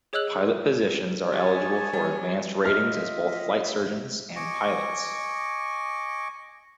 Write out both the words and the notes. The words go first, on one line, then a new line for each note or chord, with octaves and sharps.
Pilot-physicians are eligible for advanced ratings as both flight surgeons and pilots.
G#4 C#5 D#5 E6 F#6 F#7
C#4 D#4 G4 C#5 G#5 A5
G3
F4 D#5 E5 F6
D#5 G#5 C#6 D6